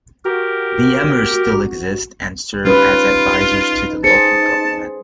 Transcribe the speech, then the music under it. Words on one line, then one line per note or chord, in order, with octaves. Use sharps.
The emirs still exist, and serve as advisers to the local government.
F#4 G4 A#4
G3 C#4 D#4 F4 B4
G#4 C5 A5 A6 C#7